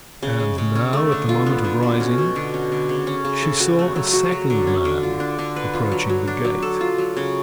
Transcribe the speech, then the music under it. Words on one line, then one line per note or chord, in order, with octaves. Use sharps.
And now, at the moment of rising, she saw a second man approaching the gate.
C#3
G#3
C#3
C#4
A3
D3
F4
B3
D3
B2
C#4
B2
D3
C#4
D3
C#3
C#4
C#3
A4
F#4
A3
F#3
F#4
F#3
D3
C#4
D3
F4
D4
D3
B4
F4
F#3
F#3
D4
F#3
A4
F4
F#3
C#3